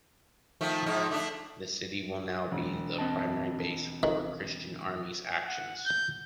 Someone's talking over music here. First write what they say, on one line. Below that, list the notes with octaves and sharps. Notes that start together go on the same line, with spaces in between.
The city will now be the primary base for christian armies' actions.
D#3 F3 A3
G#2 F3 D#4
D3 A3 D4
E1
C4 D#5 A5
D#3
F#5
G6